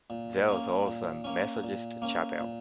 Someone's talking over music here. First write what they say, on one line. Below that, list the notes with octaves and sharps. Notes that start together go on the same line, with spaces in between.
There was also a Methodist chapel.
A#2
A#3 C#4
A#2
A#3 C#4
A#2
A#3 C#4
A#2